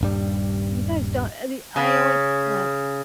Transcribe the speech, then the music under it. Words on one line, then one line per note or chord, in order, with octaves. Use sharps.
You guys don't any I always had
D#1 G2 G3
C#3